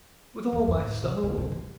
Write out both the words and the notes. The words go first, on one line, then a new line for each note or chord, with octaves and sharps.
"With all my soul."
E2
F2
A2
C3
D3
D3
E3